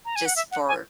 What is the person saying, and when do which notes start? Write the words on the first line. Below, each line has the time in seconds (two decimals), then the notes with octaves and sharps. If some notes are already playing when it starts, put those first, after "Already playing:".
just for
0.05 A#5
0.16 G#5
0.25 F#5
0.36 E5
0.52 F#5
0.68 G#5